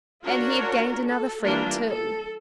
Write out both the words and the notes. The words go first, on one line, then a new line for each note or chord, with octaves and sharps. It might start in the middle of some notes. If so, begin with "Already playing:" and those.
And he had gained another friend, too.
D4 F4 F#4 A#4 C#5
A4
E3 G3 A#3 D4 F4
A4